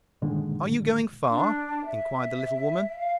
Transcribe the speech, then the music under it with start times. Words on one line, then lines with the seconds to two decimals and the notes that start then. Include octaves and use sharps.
Are you going far?' inquired the little woman.
0.22 G2 A#2 D3 D#3 G#3
1.29 D4
1.85 E5
2.96 F5